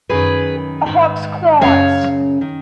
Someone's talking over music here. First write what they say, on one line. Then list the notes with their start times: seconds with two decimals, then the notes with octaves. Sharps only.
A hawk's claws.
0.09 F#2 D#3 G#4 B4
0.86 G#2 D#3
1.61 F#2 C#3 C#5 F5
2.41 D#3